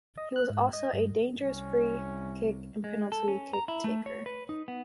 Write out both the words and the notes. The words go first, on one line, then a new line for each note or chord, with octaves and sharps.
He was also a dangerous free kick and penalty kick taker.
D#5
F#6
G#2
D#5
G2
C2 C#4
G#3
A4
C#4
A#5
E4
A3
C#5
B4
D#4
B3